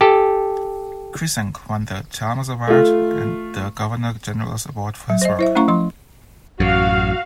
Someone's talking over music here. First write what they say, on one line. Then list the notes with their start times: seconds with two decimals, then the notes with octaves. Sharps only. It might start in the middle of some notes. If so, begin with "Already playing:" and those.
Krizanc won the Chalmers Award and the Governor General's Award for his work.
0.01 G4 A4
2.67 A3 F4
5.10 F#3
5.22 C5 D#5
5.39 E4 C5 E5
5.55 A3 C#4 E4 F5 A#5 C#6
5.68 F3 C6
6.60 A1 F#2 F#4 F5